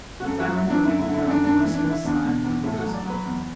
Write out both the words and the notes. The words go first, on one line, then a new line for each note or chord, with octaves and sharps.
Profound relief found voice in a sigh from Victor's heart.
F#4
F#2 A4
F#4
F#3
E4
F#3 D4
F#2 E4
E4
D3
E4
F#2 D4
F#2 D4
E4
E3
D4
E3
E4
E2 D4
B2
E2
A2 E4
A4
F#4
F#3
D5
F#3 B4
E2